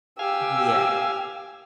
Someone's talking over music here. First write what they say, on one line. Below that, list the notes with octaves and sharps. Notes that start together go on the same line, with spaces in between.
Mhm, yeah.
G4 F5 G#5 E6